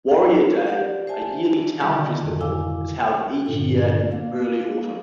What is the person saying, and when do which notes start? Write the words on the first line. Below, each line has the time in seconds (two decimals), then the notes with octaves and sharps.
Warrior Day, a yearly town festival, is held each year in early autumn.
0.66 G4 D5 F#5
1.07 C5 E5 G#5 A5
1.80 B2 D3 D#3 G3 F#4
2.20 F2 G#2
2.41 E4 F5 G#5 D6 E6
3.47 G2 A#2 D3
4.13 A#3